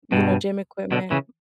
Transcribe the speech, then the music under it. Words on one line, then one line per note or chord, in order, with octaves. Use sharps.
you know, gym equipment.
G2 B2
B2 D3
C#3 E3